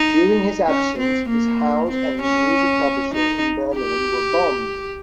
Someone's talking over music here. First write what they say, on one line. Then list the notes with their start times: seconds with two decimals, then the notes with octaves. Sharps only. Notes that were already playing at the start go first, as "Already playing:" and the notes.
During his absence, his house and his music publisher in Berlin were bombed.
Already playing: D#4
0.68 C#4
0.98 C4
1.29 A#3
1.90 C4
2.22 C#4
3.14 D#4
3.76 G4